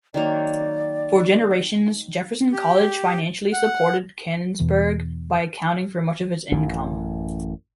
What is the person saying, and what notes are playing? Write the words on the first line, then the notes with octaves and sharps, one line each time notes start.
For generations, Jefferson College financially supported Canonsburg by accounting for much of its income.
D#3 F#3 A#3 D5
G4
F#5
E2 B2 E3
A1 F#2